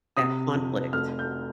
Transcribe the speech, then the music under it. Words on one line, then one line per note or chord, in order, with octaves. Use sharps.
that conflict.
C3 D#6
F2
F1 F6
G6